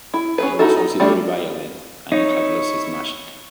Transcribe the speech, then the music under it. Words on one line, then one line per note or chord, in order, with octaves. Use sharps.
It was also very violent and it had lost its magic.
E4
C#4 G#4 B4
D#4 E4 F#4 A4
D#4
G3 A3 D4 F4
D#4 E4 C#5 C#6